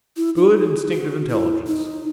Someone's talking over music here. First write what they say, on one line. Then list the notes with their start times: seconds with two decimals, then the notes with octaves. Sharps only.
Good instinctive intelligence.
0.17 E4
0.37 D#4
0.55 G#4
0.93 F#4
1.30 E4
1.67 D#4